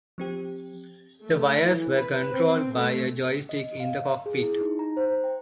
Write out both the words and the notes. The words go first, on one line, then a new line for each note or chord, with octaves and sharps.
The wires were controlled by a joystick in the cockpit.
F3 C4 G4
A3
E3
B4
C4
A3
C#7
D#5
F5
G#4
E4
D#4
A#5
C5
G5